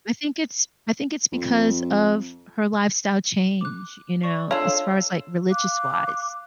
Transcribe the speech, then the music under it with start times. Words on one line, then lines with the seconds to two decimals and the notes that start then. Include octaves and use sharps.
I think it's I think it's because of her lifestyle change, you know, as far as, like, religious wise.
1.32 F2
3.61 D6 F#6
4.23 D5 C#6
4.51 D4 F4 A4 C#5 C6 E6
5.50 F5 D6 F#6